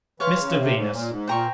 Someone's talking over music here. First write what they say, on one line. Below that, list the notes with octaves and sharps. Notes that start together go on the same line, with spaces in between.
Mr Venus.
E3 C#5 F5 C6
E3
C#3
C3
G#2
A#2
G#2
A#2 C5 G5 A#5 C#6